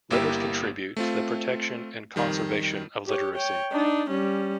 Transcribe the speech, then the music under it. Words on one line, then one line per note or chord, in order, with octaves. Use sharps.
Letters contribute to the protection and conservation of literacy.
G1 A#3 E4 G4 E6
A3 C4 F4
F2 D#3 G3
G4 C#5
C#5 G5
D4 D#4
G3 C#4